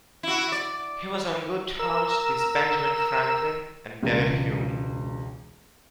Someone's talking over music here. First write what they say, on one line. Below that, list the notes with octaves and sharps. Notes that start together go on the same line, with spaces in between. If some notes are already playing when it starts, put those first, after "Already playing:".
He was on good terms with Benjamin Franklin and David Hume.
E4 F#4
D5
A#4 E6
E1 C#2